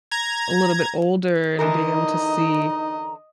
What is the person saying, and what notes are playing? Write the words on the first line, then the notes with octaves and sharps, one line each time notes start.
a little bit older, and being able to see
A#5 G#6
D3 E3 D#4 A#4 D#5 A#5